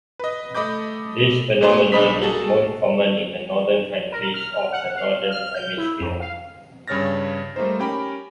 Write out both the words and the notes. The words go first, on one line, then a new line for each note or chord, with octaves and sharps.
This phenomenon is most common in the northern countries of the Northern Hemisphere.
B4 D#5
A3 D#5 B5 D6 G6
G#2 B2 A3 C#5 C6
B1 D4 B5 D#6 B6
A#3 F#4 G#4 A4 A5
A#4
F6
F#5
F5
F6
G6
E4
F2
F5
G2 C#3 C#5 F6 A6 A#6
G3 A3 A#3 D#4 C5
C#4 G4 A#4 G5 B5